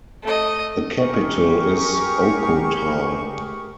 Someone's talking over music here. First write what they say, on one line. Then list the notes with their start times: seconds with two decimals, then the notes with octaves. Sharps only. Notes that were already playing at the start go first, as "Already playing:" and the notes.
The capital is Ocotal.
0.23 A3 D#5
0.96 G4 G#4 A#4 C#6